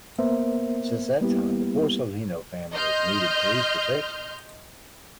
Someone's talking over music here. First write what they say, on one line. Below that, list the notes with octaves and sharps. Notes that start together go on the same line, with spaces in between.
Since that time, the Borsellino family has needed police protection.
A#3 B3 A#4 C5 E5
G3 A#3 B3 E4 G4
D#5 C6 F6 G6